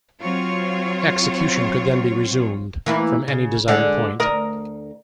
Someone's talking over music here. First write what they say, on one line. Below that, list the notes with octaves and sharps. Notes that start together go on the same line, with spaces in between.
Execution could then be resumed, from any desired point.
F#3 C4 F4 C#5
E3 A#3 E4
C#3
D3 G#3
D2 A#4 D#5